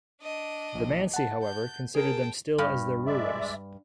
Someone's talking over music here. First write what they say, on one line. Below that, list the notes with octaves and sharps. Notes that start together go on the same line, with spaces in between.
The Mansi, however, considered them still as their rulers.
D4 D#5
A#1
F#5 A5
G6
G#4 A#4 G5 A5
G2
G#3 D5 E5